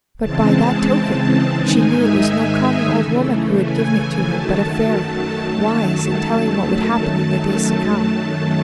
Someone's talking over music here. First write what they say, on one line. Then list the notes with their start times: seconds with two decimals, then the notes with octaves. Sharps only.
But by that token she knew it was no common old woman who had given it to her, but a fairy, wise in telling what would happen in the days to come.
0.20 C#3 E3 G#3 C4 A5
1.57 G#2 D#3 G#3 D#4 G#5
1.91 E5
2.93 C#3 E3 A3
3.62 G#5
4.29 F#2 D#3 F#3 A3 A5